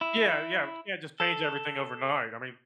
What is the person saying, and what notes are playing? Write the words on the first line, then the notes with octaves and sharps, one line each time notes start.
Yeah, yeah, we can't just change everything overnight. I mean,
E4
A4